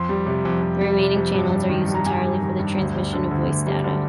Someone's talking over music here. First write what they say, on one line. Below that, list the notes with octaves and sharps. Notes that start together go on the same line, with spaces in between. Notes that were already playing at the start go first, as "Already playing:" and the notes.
The remaining channels are used entirely for the transmission of voice data.
Already playing: F2 C6
G3
C3
F2
F2
G3
C3
F2
G2
G3
D#3
G2
A#5
G2 G#5
G3
D#3
G2
D2
G3
D3
D2
D2
G3
D3